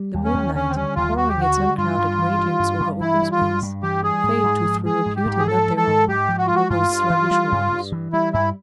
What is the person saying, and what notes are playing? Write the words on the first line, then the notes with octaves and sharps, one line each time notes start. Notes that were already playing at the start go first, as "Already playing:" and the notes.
The moonlight, pouring its unclouded radiance over open space, failed to throw a beauty not their own on those sluggish waters.
Already playing: G3
D#2
C#4
D#2
D3 C#4
C4
G3 C#4
D#2 F4
D#2 F#4
G4
D3 F#4
G3
G2 F4
G2
E3
G3
G2
G2
E3 E4
G3
F4
G2
G2
E3 G4
G3 G#4
G#2
G#2
F3
G#3 G#4
G#2
G4
G#2
G#4
F3 A4
G#3
A4
G#2
G#2 G4
F3
F#4
G#3 F4
F#4
G2 F4
G2
E3
G3
G2
G2
E3
G3 E4
G2 E4